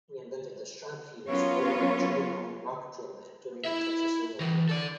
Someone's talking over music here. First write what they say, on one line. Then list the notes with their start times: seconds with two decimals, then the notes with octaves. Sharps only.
He invented the "Sharp-Hughes" rotary tri-cone rock drill bit during the Texas Oil Boom.
1.28 F#3 B3 C#4 F4 A#4 C#5
3.65 E4 E5
4.40 E3 A#4
4.69 A4 D5